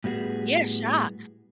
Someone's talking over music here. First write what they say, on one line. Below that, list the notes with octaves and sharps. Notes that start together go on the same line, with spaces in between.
Yeah, shocked,
A2 G3 B3 F#4 G#4